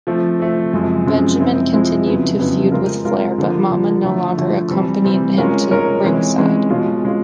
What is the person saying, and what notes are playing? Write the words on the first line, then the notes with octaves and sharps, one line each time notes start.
Benjamin continued to feud with Flair, but Momma no longer accompanied him to ringside.
F3 A3 C4
F3 A3 C4
F#2 C#3 F3 G#3 C4
F#2 C#3 F3 G#3 C4
C3 F3 G#3 C4 E4
C3 F3 G#3 C4 E4
F2 C#3 F#3 B3 E4
F2 C#3 F#3 B3 E4
G#3 C4 F4 A#4
G#3 C4 F4 A#4
D3 F3 A#3
D3 F3 A#3
D3 F3 A3
D3 F3 A3
C3 E3 G3 C4
C3 E3 G3 C4
G#3 C#4 F4 A#4 C#5
G#3 C#4 F4 A#4 C#5
C3 E3 G#3 C#4
C3 E3 G#3 C#4
B2 G#3 C#4 F4
B2 G#3 C#4 F4